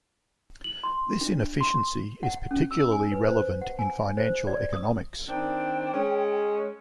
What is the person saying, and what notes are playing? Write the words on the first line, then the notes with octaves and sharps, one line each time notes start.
This inefficiency is particularly relevant in financial economics.
F#7
C6
D4
C6
F#5
C#4
E6
G#5
B4
C5
F#5
G#5
C5
D5
D#6
D#3 C4 D4 G5
G#3 C#4